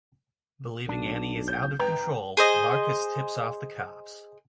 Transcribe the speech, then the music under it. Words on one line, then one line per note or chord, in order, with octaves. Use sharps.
Believing Annie is out of control, Marcus tips off the cops.
B1 D4
G6
G#1 B4 G5 A#5
G#4 C5 D#5